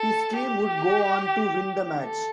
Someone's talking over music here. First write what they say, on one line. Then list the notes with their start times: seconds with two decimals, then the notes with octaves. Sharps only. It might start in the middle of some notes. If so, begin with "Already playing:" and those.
His team would go on to win the match.
Already playing: A4
0.37 G4
2.01 A4